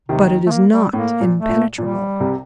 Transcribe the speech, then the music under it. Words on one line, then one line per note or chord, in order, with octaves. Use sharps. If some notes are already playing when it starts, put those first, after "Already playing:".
But it is not impenetrable.
D#2 C3 D#3
A3
A#3
G3
A2 A#3
A#2
A3
A#2
A#2 G3
C2 C3